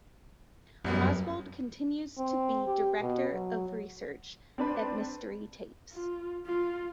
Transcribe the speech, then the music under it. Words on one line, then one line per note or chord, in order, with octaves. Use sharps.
Oswald continues to be Director of Research at Mystery Tapes.
A#1 F#2 G3 B3
C4
G4
B2
F#3
C4 D4 B4
F4
F4